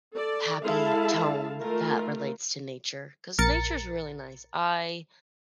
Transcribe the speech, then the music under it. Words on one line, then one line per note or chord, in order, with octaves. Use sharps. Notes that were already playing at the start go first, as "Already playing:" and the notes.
happy tone that relates to nature 'cause nature is really nice. I
A4 D5
G#3 E4 A4 F5 A5
D#3 A3 F4 A#4
A#1 A#4 A6 C#7